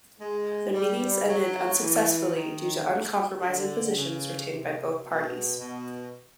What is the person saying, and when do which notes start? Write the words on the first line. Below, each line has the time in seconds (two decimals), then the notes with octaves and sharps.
The meetings ended unsuccessfully due to uncompromising positions retained by both parties.
0.19 G#3
0.73 G3
1.27 F#3
1.81 E3
2.35 D#3
3.42 D3
3.96 C#3
4.50 C3
5.04 B2
5.58 B2